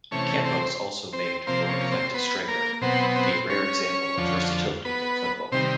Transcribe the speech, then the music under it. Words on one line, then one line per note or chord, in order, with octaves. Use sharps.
Campos also made for an effective striker, a rare example of versatility in football.
C3 E3 A3 C#4 C#5
C4 C5
C4 C5
C3 F3 A#3 C4 C5
C5
C#4 C#5
C#5
C4 C5
B3 B4
A#3 A#4
B2 F#3 B3 C4 C5
C4 C5
C#4 C#5
F2 D3 F3
B3 B4
C3 D#3 G3 C4 C5